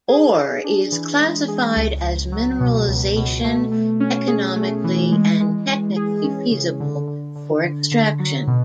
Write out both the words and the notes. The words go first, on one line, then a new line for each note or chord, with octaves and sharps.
Ore is classified as mineralization economically and technically feasible for extraction.
G#4
G#4
D4
E3
G#3
G#4
C#2
C#2
F#3
B2
C#2
B2
A3
A3
C#4
G#4
A3
E3
G#3
G#3
G#3
G#4
C#4
C#3
D3
D3
D3
D3
D3
F#3
B2